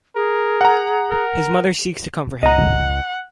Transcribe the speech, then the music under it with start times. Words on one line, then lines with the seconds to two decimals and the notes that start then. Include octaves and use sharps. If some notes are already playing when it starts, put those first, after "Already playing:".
His mother seeks to comfort him.
0.16 G#4 A#4
0.61 F#5 A#5
1.10 A#4
2.43 C#2 D#5 F#5 A#5